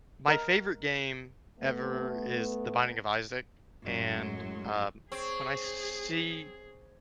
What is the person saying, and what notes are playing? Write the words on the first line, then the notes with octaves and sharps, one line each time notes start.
my favorite game ever is The Binding of Isaac, and, um, when I s see
A#4 D#5 A#5
A3 B3
F#2 A2 F#3 G#3 C6
C4 G#4 C#5